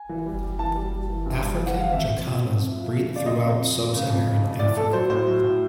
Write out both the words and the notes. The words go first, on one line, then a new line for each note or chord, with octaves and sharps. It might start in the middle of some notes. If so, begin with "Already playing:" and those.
African jacanas breed throughout sub-Saharan Africa.
Already playing: G#5
E3
G3
G3
E3 A5
G3
G3
E3
G2
G3
E3
F#5
G3 F5
F2 E5
F2
F3
F2
F2
F3
F3
C#3
D5
C#3 D#5
F2
F2
F3
C#3
F2
C#3
F2
A2 D5
A2 A4
F#3 C5
A2 C5
F#3
A2